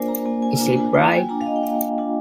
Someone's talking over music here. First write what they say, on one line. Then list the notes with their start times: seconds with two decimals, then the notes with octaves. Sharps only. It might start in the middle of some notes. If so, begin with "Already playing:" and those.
Is it bright?
Already playing: A#3 D4 F4 A#4 C5 D5 G#5
0.08 A#5
0.25 A#3 G#5
0.42 G#5
0.60 D4 F4 A#5
0.77 G#5
0.94 A#3 G5
1.12 G#5
1.29 D4 F4 A#5
1.41 F5
1.46 D#5
1.56 G5
1.63 A#3 F5
1.98 D4 F4